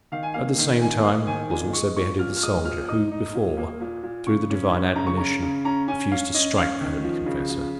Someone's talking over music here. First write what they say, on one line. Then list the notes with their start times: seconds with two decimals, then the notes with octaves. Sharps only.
At the same time was also beheaded the soldier, who before, through the Divine admonition, refused to strike the holy confessor.
0.12 D#3 F5
0.23 G#5
0.34 A#3 F5
0.58 D#3
0.81 A#3 G#5
1.04 A#3 F5
1.27 D#3 G#5
1.50 A#2 G#5
1.73 G#3 C#6
1.97 A#2 C#6
2.19 A#2 F6
2.36 F6
2.43 G#3 D#6
2.65 A#2 F6
2.89 D#4 D#6
3.12 D#4
3.35 A#2
3.57 A#3
3.81 A#2
4.03 A#2
4.26 C#3 C#6
4.50 C#4
4.73 C#4
4.96 C#3 A#5
5.07 C#6
5.17 C#4 A#5
5.42 C#3
5.65 C#4 A#5
5.88 C#4 G#5
6.11 C#4 F5
6.34 C#4 D#5
6.57 C#4 F5
6.81 D#3
7.04 F3
7.26 C#3
7.49 F3